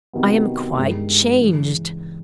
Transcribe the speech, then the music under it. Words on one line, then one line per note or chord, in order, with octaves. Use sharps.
I am quite changed.
C3 D#3 F#3 B3
G2 D#3 G#3
C#3 E3